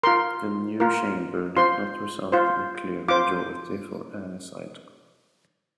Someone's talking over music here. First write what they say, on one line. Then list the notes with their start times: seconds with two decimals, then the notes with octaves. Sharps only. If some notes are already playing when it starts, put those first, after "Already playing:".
The new chamber did not result in a clear majority for any side.
0.03 F4 A#4 C6
0.80 F4 A#4
1.56 F4 C5 C6
2.32 F4 C5
3.08 F4 C5 D6